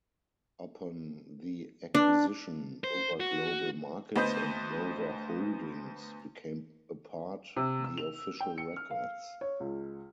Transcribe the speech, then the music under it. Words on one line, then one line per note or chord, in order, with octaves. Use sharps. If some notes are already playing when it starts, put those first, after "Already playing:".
Upon the acquisition Nova Global Markets and Nova Holdings became apart the official records.
D4
C5
F#4
D2 B3 B4 C5 D#5 G6
C3
E6
F7
G5
C#7
F6
F5
C#5
C#2